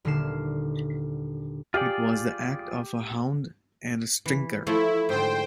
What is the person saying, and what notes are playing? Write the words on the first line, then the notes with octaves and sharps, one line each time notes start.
It was the act of a hound and a stinker.
D#1 D3 F6 C7 E7
F4 G4 G#4 D5
E3
F3 A3 E4
G#2 D3 C5 G5